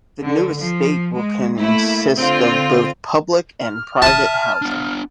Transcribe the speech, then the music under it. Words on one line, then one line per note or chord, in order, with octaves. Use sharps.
The new estate will consist of both public and private housing.
D3
F3
G#3
A3 A#3 E4
D3 C4 F4
F6
E5 A5 D#6
B3 D4